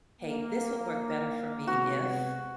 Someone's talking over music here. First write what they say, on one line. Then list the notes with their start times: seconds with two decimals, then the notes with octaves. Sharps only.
"Hey, this would work better for me if"
0.22 A#3
1.67 C3 G#3 B3 F#4